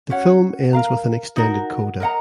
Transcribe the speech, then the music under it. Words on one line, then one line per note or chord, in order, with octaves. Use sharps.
The film ends with an extended coda.
C#4 F#4 C#5 F#5
A#4 F5 A#5
D#4 F#4 A#4
A#4 D#5 F#5 A#5